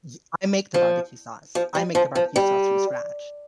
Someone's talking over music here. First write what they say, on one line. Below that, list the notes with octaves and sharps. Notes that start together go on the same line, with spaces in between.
y I make the barbecue sauce. I make the barbecue sauce from scratch.
F3
F3
G3
F3
F3
G3